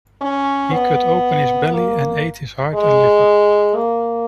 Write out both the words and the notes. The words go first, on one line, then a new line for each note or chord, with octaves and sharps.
He cut open his belly and ate his heart and liver.
C#4
B3
A#3
G#3
A#3